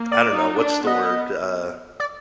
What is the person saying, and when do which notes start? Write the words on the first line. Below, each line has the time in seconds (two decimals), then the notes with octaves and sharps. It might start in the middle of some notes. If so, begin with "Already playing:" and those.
I don't know. What's the word, uh
Already playing: A#3
0.12 D5
0.31 D#4
0.59 D4
0.87 B3 D#5
2.00 D5